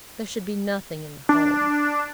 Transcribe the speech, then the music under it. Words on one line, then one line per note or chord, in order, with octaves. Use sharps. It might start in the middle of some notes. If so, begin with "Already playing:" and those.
There should be nothing in the home.
D4